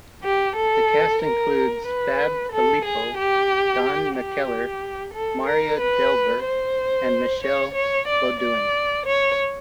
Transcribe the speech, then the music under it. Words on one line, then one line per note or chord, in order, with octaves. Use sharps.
The cast includes Fab Filippo, Don McKellar, Marya Delver and Michelle Beaudoin.
G4
A4
A#4
B4
A4
G#4
G4
G4
A4
A#4
B4
C5
C#5
C#5
D5
D5
C#5